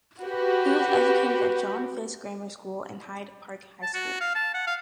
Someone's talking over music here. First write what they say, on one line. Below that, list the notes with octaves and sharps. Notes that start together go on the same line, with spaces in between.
He was educated at John Fiske Grammar School and Hyde Park High School.
F#4 G4 B4
A5
F#4
F5
A5
F#5
F5